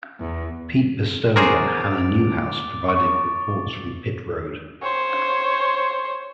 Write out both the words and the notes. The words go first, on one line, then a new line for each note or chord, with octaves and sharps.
Pete Pistone and Hannah Newhouse provided reports from pit road.
E2
F#4 G#4 A#4 C5 D6 A6 D7
C#6
C5 C#5